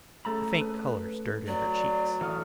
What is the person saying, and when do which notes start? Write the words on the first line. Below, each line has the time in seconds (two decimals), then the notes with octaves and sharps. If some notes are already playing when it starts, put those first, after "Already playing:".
A faint colour stirred in her cheeks.
0.25 A3 C#4 G#4 A4 A#5 B5
0.61 B4
1.47 F#3 D5
2.21 E3 A4 F5 C#6 D#6 F6